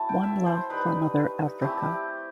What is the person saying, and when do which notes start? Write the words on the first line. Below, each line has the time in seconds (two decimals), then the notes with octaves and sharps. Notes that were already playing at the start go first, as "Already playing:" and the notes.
One Love for Mother Africa.
Already playing: F#3 A3 E4 A5
0.09 G5
0.23 E5
0.46 C5
0.70 G3 D#4 B4
1.61 A3 C4 E4 G4